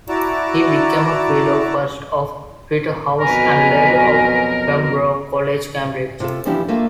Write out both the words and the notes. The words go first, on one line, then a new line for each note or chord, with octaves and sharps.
He became a Fellow first of Peterhouse, and later of Pembroke College, Cambridge.
E4 F#4 D5 A5 A#5
F2 B2 F#3 A#4 B4 G#5 A#5
C3 F4 A4
E3 F3 C#4 D4 E4 G4
A3 A#3 D4 F4 A4 E5